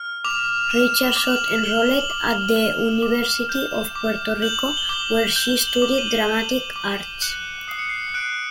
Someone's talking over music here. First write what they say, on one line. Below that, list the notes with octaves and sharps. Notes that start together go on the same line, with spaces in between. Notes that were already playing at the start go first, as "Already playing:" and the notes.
Richardson enrolled at the University of Puerto Rico where she studied Dramatic Arts.
Already playing: F6
D6 F7
F6 E7
D6 F7
F#7
F7
F6 G7
F#7
D6
F#7
F7
F6 E7
D6
G6
D6
G6 F#7
G7
D6 F#7
G6 G7
F#7
D6
D#7
G6
D6
F#6 C#7
D#6 C7
C#7
C7
F#6 D7